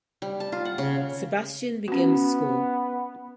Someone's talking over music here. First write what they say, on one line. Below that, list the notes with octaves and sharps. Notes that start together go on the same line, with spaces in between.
Sebastian begins school.
G3
A5
F4
F#5
C#3
B3 C#4 F#4